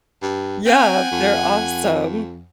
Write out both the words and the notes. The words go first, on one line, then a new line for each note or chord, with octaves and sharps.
Yeah, they're awesome
G2
C4 F#5 G#5
F2